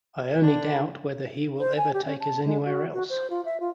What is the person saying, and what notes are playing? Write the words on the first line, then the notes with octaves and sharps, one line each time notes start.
I only doubt whether he will ever take us anywhere else.
D3 D4
C5
G#5
G4
C#4
A5
G#3
F#4
F#4
C5
F4
E5
F4